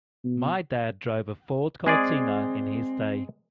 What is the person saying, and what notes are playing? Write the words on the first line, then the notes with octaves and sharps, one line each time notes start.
My dad drove a Ford Cortina in his day.
B2
G#3 C4 G#4 D5